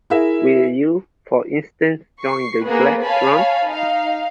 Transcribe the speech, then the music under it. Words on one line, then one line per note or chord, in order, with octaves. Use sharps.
Will you, for instance, join the glad throng?
E4 G#4 A#4 E5
C#6 C7
A#3 B3 G#4 B4
C#5 F5 G#5 A5 B5
D#4 F5